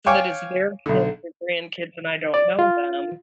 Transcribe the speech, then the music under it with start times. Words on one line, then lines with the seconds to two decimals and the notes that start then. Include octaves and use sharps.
so that it's their kids or grandkids, and I don't know them,
0.06 C#5 F5 G5 G#5 C#6 D6
0.86 B1 D3
2.34 D5
2.59 F4